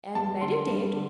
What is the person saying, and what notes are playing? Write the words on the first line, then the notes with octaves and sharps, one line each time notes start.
'And meditate?
G2 A5
D3 C6
G2
D3